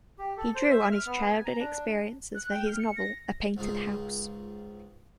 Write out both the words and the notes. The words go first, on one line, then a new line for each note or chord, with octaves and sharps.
He drew on his childhood experiences for his novel "A Painted House".
G4
A4
C5
E5
F6
B3
G#5
A#5
D4
F#6
G5
F6
C#7
A#6
C#2 G#2 D#4 F4 G#4